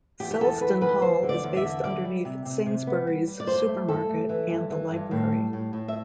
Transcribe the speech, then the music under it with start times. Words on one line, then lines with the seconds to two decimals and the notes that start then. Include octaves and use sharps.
Selsdon Hall is based underneath Sainsbury's supermarket and the library.
0.20 E2 G4
0.31 G4
0.40 E2 A4
0.61 E2 B4
0.81 E2 B4
1.02 E2 C5
1.23 D3
1.29 D5
1.44 E2
1.57 E5
1.64 D3
1.84 G3 D5
2.05 G3
2.25 C3
2.45 C3
2.66 C3
2.87 B3
3.07 G3
3.28 G3
3.40 D5
3.47 G2 C5
3.68 A3
3.88 G2 A4
4.09 A3
4.29 E3
4.50 G2
4.70 E3
4.91 G2
5.11 A2
5.32 G3
5.53 A2
5.73 A2
5.88 E5